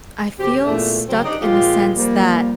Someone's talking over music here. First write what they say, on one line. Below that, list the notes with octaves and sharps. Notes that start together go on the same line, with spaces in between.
I feel stuck in the sense that
D2 C4 G4
E2 A#2 A3
C#3 F#3 C4
D4 D#4 G4 D5 D#5
A#2 F3 G#3 F4 G4
F3 G3 A#3